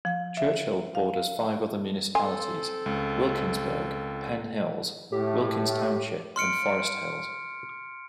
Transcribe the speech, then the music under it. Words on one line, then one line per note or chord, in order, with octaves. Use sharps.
Churchill borders five other municipalities: Wilkinsburg, Penn Hills, Wilkins Township and Forest Hills.
F3
E5
F5
C4 A4 G#5 C6
C#2
A2 G4
C6 F6 C#7 D7